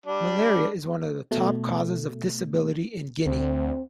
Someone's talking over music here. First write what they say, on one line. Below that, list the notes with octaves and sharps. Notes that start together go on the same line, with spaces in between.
Malaria is one of the top causes of disability in Guinea.
G3 D4
B2 A3
D2 C4